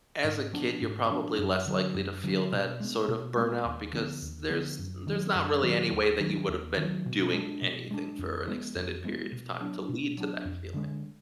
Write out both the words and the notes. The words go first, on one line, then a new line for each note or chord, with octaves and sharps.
as a kid you're probably less likely to feel that sort of burnout because there's there's not really any way that you would've been doing anything for an extended period of time to lead to that feeling.
G#2
F3 B3 D4
G#2
F3 B3 D4
F#2
D3 F#3
F#2
D3 F#3
B2
G#3 B3
B2
G#3 B3
D#2
D3 F3 B3
D#2
D3 F3 B3
F#2
D#3 F#3
F#2
D#3 F#3
D#2
D#3 F#3
D#2
D#3 F#3
B2
G#3 D4
B2
G#3 D4
F2
F3 G#3 B3
F2
F3 G#3 B3
B2
F#3 B3 D4
B2
F#3 B3 D4
F2
D3 G#3